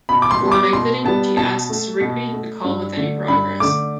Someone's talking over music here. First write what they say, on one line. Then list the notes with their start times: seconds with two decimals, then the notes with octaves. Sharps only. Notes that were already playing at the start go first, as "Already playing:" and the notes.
Upon exiting, she asks Rigby to call with any progress.
0.09 B2 B5
0.22 D6
0.31 C6
0.41 G3 B3
0.52 D6
0.73 B2 C6
1.05 G3 B3 A5
1.37 B2 A5
1.69 A3
2.01 B2
2.33 A3
2.64 G2
2.97 D3 A3
3.28 G2 B5
3.60 D3 A3 D6